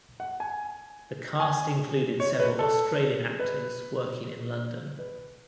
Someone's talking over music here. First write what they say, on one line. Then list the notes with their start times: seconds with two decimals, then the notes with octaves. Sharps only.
The cast included several Australian actors working in London.
0.20 F#5
0.40 G#5
1.40 G#5
2.20 C#5
2.40 B4
2.59 A4
3.40 B4
4.99 B4